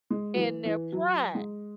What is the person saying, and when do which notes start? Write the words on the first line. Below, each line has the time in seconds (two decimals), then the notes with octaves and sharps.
and their pride.
0.10 G#3
0.34 F#3
0.37 E3
0.65 E3
0.92 F#3
1.35 G#3